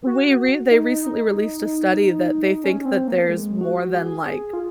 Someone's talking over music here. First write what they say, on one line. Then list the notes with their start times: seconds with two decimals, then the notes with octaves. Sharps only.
we re they recently released a study that they think that there's more than like
0.07 F#4
0.71 D#4
1.02 D#4
2.64 C#4
2.81 C#4
2.85 C4
3.08 A#3
3.29 G#3
3.61 F#4
3.94 G#4
4.53 F4